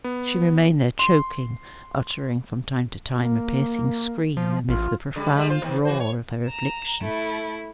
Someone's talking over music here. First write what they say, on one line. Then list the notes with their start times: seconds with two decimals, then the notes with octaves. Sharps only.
She remained there choking, uttering from time to time a piercing scream amidst the profound roar of her affliction.
0.04 B3
0.99 C6
3.19 A#3
4.37 F3
4.69 A1 F4
5.16 C#3 G3
5.35 G3 G#3
5.50 F4 C5
5.62 D#2 C4
5.85 E3 F#4 C5
6.00 C#5
6.46 A#5 E7
7.03 A3 E4